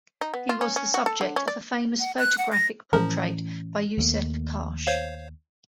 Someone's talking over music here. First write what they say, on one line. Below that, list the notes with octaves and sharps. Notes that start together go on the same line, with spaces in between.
He was the subject of a famous photographic portrait by Yousuf Karsh.
D#4
B3
F4
C#4
C#4
F#4
A4
D3
C#4
D5
F#5
F#6
F#5
A#6
A2 E3 F3 C#4 A#4
D#2 A3 A#3
C5 C#5 F5